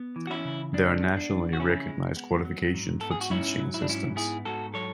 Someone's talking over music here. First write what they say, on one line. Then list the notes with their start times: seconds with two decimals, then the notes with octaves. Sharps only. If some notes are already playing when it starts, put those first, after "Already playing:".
There are nationally recognised qualifications for teaching assistants.
Already playing: B3
0.16 E3
0.27 F#4
0.30 C#4 E4
0.45 C#3
0.74 G#3 D4
1.02 B3
1.17 D4
1.30 E3
1.53 F#4
1.59 C#3 C#4 E4
1.88 G#3
2.17 B3
2.45 F#3
2.74 G#2
3.01 B3 A4
3.11 G#4
3.21 F#4
3.31 G#2 C#4 E4
3.59 F#3
3.74 E4
3.82 D4
3.88 G#2 C#4 E4
4.16 B3 E4 G#4
4.45 G#2 F#4 A4
4.74 F#3 A4 C#5